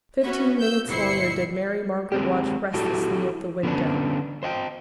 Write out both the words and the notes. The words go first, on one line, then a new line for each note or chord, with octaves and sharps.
Fifteen minutes longer did Mary Margaret watch restlessly at the window.
B3 C#4 F#4 B4 E5
E6 G6
G1 B2 E4 C5 C7 C#7
G#3 C4 G4
F#3 E4 F#4 G4 A4
D3 B3 C#4 D4
C5 D#5 F#5 G5